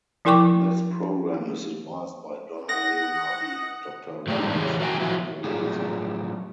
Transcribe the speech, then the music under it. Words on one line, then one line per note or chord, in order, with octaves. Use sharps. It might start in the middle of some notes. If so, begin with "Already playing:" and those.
This program is advised by Donna Leonardi and Doctor Robert Pergolizzi.
F3 E4 A#4 G5 C#6 D6
F#5 D#6 A#6
F#3 A3 G4 G#4 C#5 D5
G3 G#3 D4 D#4
E3 G4 G#4 C#5
F#4 A#4 B4 F5 G5 G#5
F3 F#3 B3 E4 F#4
A2 F#3 G3 F4 G#4